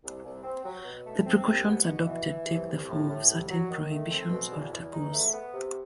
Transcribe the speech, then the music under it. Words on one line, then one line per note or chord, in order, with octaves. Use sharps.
The precautions adopted take the form of certain prohibitions or taboos.
C2
C2
C4
F#3
B2
A3
C4
C2
B3
B2
E3
E3
C2
C2
A2
A2
C2
F#3
D#3
A3
C4
B2
E2
E2
D#4
A3
B3
C3